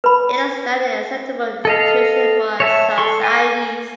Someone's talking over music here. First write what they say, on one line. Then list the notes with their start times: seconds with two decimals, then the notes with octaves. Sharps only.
It is not an acceptable situation for our societies"".
0.04 B4 B5
1.65 A4 D#5 F5
2.60 C#5 E5 A5
2.98 A4 C6 C#6
3.24 G#5